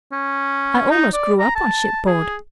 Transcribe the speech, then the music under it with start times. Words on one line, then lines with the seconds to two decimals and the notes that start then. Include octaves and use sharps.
I almost grew up on shipboard.
0.12 C#4
0.90 D#4
1.13 D5
1.40 A#5
1.56 A5
2.06 G#4